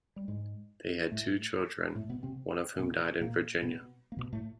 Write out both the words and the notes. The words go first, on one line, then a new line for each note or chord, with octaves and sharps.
They had two children, one of whom died in Virginia.
G3
G#2 G#3
A2 A3
A2 A3
B2 B3
C3 C4
B2 B3
A#2 A#3
B2 B3
A#3
B2 B3
A2 A3